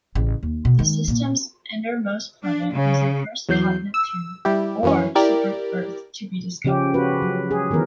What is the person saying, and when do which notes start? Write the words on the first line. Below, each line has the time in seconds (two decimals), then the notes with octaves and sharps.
The system's innermost planet was the first 'hot Neptune' or 'super-Earth' to be discovered.
0.15 A1 C#3
0.43 D#2
0.65 B2
0.79 D#3 G#3
1.08 A#2 A#3
2.43 D4
2.73 C#3
3.49 E2 F#3 G6 C7
3.94 E6
4.45 G3 E4 G4
4.83 F#2 E3 C#4
5.15 E4 G4 A#4 D5
6.65 C#3 F3 C#4 G4
6.94 F#4 B4
7.22 F#3
7.51 G#4
7.71 D#3 E3 B3 A#4